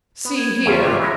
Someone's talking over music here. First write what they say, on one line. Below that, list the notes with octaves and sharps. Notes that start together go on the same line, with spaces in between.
"See here."
B3
G#6
E2 C#3 C#4 F4 C#6
G1 C3
E3 G#3 C#4 A#4 E5